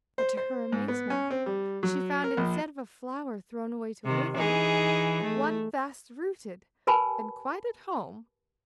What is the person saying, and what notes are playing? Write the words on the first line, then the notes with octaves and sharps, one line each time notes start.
But to her amazement she found, instead of a flower thrown away to wither, one fast rooted and quite at home.
C5
C5
G#2
B3
C#4
C4
G3
F#3
A#4
A#1
C3 D#3
E3 D#4 G#4
A3
G4 A#4 B4 G#5 A5 B5